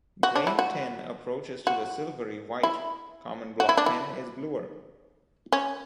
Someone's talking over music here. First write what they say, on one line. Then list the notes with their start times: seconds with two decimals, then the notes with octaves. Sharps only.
Grain tin approaches to the silvery white. Common block tin is bluer.
0.23 F#4
0.35 D4
0.47 E4
0.59 F#4
1.67 F#4
2.63 E4
3.60 F#4
3.69 E4
3.77 D4
3.86 E4
5.52 C#4